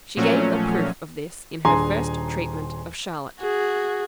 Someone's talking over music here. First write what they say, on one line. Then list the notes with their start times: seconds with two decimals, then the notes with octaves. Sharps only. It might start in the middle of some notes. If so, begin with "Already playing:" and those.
She gave a proof of this in her first treatment of Charlotte.
0.17 A#2 F3 F#3 A3 C#4
1.65 D#1 D4 G#4 G#5 A#5 C6
3.39 F#4 G#4